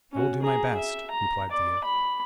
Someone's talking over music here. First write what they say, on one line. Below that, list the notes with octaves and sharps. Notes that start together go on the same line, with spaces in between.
'I will do my best,' replied the youth.
C#4 F#4
G#4 A#5
E5
A#5
D5
B5